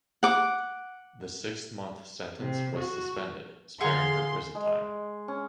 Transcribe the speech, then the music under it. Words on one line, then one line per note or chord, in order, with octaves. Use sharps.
The six-month sentence was suspended, sparing her prison time.
F#5 D6
C3
F#4
D3 G#4 F5 F#5 C6
G#3
C#4